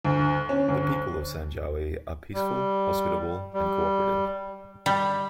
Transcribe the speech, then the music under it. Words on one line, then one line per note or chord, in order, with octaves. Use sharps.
The People of Sanjawi are peaceful, hospitable, and co operative.
D2
C#4
D2
G3
G3
G3